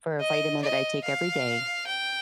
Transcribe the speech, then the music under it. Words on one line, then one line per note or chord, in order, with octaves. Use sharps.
for a vitamin that I take every day,
D#5
D#5
F5
G5